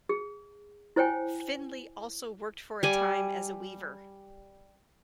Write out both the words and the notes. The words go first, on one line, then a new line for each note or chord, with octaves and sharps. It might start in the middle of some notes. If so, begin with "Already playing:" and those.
Findley also worked for a time as a weaver.
G#4
E4 C5 C#5 G5 G#5
G3 G#5 D6